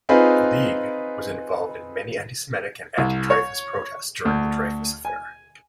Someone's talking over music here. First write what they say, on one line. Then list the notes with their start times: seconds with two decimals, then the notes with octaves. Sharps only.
The Ligue was involved in many anti-Semitic and anti-Dreyfus protests during the Dreyfus Affair.
0.09 C4 D#4 F4 G#4 B4
2.98 C2
3.30 C#5
4.25 D2
5.05 G#5